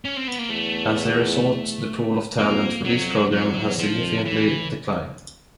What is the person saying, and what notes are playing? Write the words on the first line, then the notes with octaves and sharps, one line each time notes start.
As a result, the pool of talent for these programs has significantly declined.
C#4
C4
B3
A#3
E2 A3
F2 A#3
F2 F#3
F2 F#3
E2
F3
F2
A2 E3